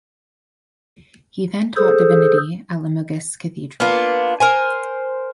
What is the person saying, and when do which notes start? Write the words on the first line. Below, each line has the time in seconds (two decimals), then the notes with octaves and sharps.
He then taught divinity at Limoges Cathedral.
1.77 G#4 A4 C5
3.80 A#3 B3 D4 F4
4.40 A#4 C5 G#5